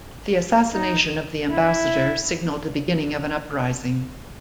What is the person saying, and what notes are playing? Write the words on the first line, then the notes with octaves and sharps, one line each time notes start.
The assassination of the ambassador signaled the beginning of an uprising.
D#4
E4